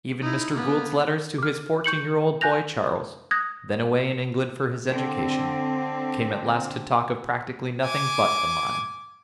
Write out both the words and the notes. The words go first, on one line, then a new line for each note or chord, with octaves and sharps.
Even Mr. Gould's letters to his fourteen-year-old boy Charles, then away in England for his education, came at last to talk of practically nothing but the mine.
D#4 E4
A#3 B3
D6 F6
C#6 G6 C#7 F#7
G#5 F#6 G6 A#6 F7
D#6 F#6 G#6 A#6
D3 C4
G#5 D6